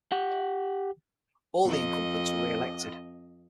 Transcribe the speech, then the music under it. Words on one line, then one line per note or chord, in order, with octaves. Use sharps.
All the incumbents were re-elected.
G4 F#5
F2 D#5